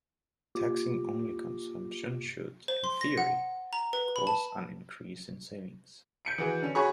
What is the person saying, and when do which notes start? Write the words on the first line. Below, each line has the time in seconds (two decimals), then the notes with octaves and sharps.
Taxing only consumption should, in theory, cause an increase in savings.
0.55 A#3 F4 G4 D6
2.68 C5
2.84 C6
3.01 A#6
3.18 F#5
3.73 A#5
3.93 B4
4.16 B5
4.27 A5
6.25 G6 C#7 D7
6.38 E3 F#4 G#4
6.62 D3 C#4
6.75 F#4 G#4 C#5 G#5 B5 C#6